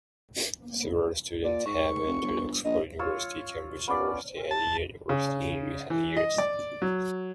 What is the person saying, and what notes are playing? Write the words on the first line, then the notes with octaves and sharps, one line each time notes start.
Several students have entered Oxford University, Cambridge University and Yale University in recent years.
A#2 D5
G#2 C#6
F1
G1
A#1 D#5
F4 C#5 E6
B3 C#4 F4 D5
A5
C#3
E3
D#5
D5
F#3